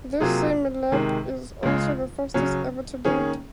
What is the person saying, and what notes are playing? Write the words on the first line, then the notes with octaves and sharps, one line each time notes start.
This same lap is also the fastest-ever to date.
C3 F#3 A#3 F4 G#4
C3 D#3 G#3
C#2 C#3 G#3
C#3 F#3 C#4
D#3 A#3 C#4 G#4